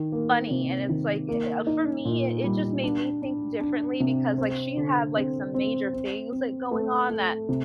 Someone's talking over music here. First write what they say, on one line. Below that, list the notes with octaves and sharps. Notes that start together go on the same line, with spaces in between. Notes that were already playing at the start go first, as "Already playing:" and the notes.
funny, and it's like eh eh, for me i it just made me think differently because, like, she had, like, some major things, like, going on that
Already playing: D#3
A#3
C3
D#3
A#3
D#4
A#2
G3
D4
D4
D4
C3
C4
D3
C4
C4
C4
C4
A3
A3
C3